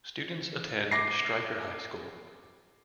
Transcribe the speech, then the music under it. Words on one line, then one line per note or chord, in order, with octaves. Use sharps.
Students attend Stryker High School.
D6 A#6 C7